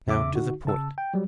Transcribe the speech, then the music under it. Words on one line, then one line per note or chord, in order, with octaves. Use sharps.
Now, to the point.
E2 C#3 E5 D6
D3 D#4 F#4
C#3 A5 E6
G5
F#3 G3